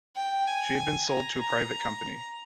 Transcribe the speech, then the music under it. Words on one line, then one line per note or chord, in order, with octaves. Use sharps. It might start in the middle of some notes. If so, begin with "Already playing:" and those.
She has been sold to a private company.
G5
G#5
A#5
A#5